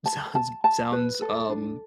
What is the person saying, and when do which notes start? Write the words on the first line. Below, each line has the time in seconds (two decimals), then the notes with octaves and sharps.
Sounds sounds, um
0.06 A5
0.35 A5
0.64 A5
0.92 B4
1.22 A4
1.50 D4